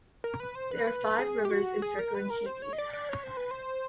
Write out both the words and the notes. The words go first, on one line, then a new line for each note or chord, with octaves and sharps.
There are five rivers encircling Hades.
A#4
B4
C5
B4
B4
G#4
G4
F#4
G#4
A#4
B4
A#4
C5
C#5
D#5
D5
D5
C#5
C5
B4
C5